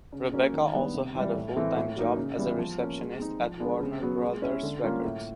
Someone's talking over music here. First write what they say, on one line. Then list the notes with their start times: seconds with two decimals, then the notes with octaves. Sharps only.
Rebecca also had a full-time job as a receptionist at Warner Brothers Records.
0.12 C#3
0.32 F#3 A#3 C#4
0.54 D#3
0.74 G3 B3 D4
0.94 C3
1.15 E3 G3
1.36 A2
1.56 E3 A3 C4 E4
1.77 A2
1.96 F#3 A#3 D#4
2.17 C#3
2.37 E3 G3 B3
2.58 F3
2.78 A#3 C#4
2.98 G#3
3.20 C4 D#4
3.40 F3
3.60 G#3 B3 D4
3.80 C#3
4.02 F#3 B3
4.22 G#3
4.42 C#4 E4
4.63 D3
4.84 G3 A#3 C#4 F4
5.04 A2